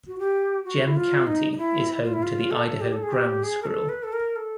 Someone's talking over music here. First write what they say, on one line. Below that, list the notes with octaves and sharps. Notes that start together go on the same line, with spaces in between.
Gem County is home to the Idaho ground squirrel.
F#4
G4
F#4
E4
F4
D#4
D#4
E4
F4
E4
F4
A4
G4
A4
G#4
G4
G#4
A#4
A4
B4
A4
A#4
A4